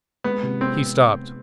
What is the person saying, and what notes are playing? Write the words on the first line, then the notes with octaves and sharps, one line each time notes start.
He stopped.
G#3 B3
C3
B3 C4